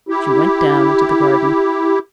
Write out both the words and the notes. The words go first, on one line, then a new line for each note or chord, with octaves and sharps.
She went down into the garden.
E4 G4